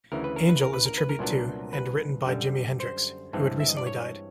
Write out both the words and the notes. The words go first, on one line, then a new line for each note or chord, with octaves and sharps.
"Angel" is a tribute to, and written by Jimi Hendrix, who had recently died.
D2 C#3 E3 A#4
B4
A#4
B4
A#4
B4
A#4
B4
A#4
C2 A#2 F#3 B3 D4
B4
F#2 D3 G3
C5
G2 E3 G#3 C4
E5
D#5
D5
C#5